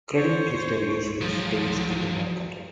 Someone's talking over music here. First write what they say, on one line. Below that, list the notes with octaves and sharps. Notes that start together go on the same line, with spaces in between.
Credit history usually stays within one country.
C5 C#5
F3 F#3